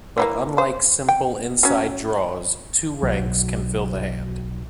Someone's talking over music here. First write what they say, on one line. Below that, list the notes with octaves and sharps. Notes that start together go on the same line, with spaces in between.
But unlike simple inside draws, two ranks can fill the hand.
E3 F#3 A#3
C5
G5
F#3 C#4
B1 F#3